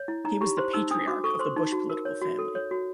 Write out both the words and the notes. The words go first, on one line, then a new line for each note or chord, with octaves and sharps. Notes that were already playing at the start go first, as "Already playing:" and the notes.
He was the patriarch of the Bush political family.
Already playing: C#5
E4
D#4 A#5
G4 B5
C5 C6
D#4 E6
D4 D#6
F#4 D6
A4 C#6
C5 C6
D#4
F#4
A#4
C#5
F#4
A4
C#5
F#4